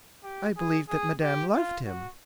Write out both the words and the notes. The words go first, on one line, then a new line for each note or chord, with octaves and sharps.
"I believed that Madame loved him."
G4
G#4
G#4
G4
F4
F#4